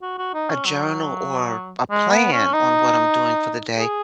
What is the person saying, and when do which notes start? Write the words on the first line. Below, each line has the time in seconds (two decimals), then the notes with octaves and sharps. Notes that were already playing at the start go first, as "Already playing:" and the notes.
a journal or a plan on what I'm doing for the day.
0.02 F#4
0.18 F#4
0.34 D#4
0.50 C#4
0.66 F#3
1.91 G#3
2.11 B3
2.32 C#4
2.53 D#4
3.78 G#4